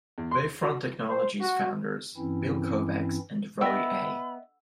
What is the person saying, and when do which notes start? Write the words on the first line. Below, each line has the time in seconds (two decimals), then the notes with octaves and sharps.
Wavefront Technologies founders Bill Kovacs and Roy A.
0.18 E2
0.31 C6
0.63 F#4
1.09 C5
1.40 F#4
2.17 G2 E3 C4 C#4 E4
3.61 B3 D#5 E5 G5 B5 E6